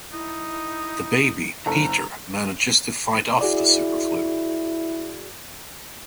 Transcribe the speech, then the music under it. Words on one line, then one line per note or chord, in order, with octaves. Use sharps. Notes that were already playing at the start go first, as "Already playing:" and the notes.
The baby, Peter, manages to fight off the Superflu.
D#4 E4
F#1 C#4 A4 A#5
E4 F#4 G#4 D5